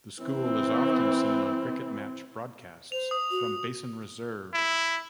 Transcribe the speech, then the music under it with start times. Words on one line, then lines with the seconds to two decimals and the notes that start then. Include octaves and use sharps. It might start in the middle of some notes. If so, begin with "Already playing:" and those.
The school is often seen on cricket match broadcasts from Basin Reserve.
0.23 E3 C4
2.92 C5 F7
3.11 D#6
3.31 F#4
4.53 E4